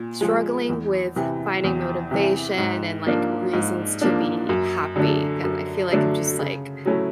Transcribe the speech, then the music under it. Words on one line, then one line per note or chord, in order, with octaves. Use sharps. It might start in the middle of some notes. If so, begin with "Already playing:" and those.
struggling with finding motivation and, like, reasons to be happy, 'cause I feel, like, I'm just, like,
Already playing: A#2
F3 G#3
E2
C3 E3
E2
C3 E3
G#2
F3 A#3 D4
G#2
F3 A#3 D4
F#2
D3 F#3 A3 D4
F#2
D3 F#3 A3 D4
C#3
F#3 A3 C#4 E4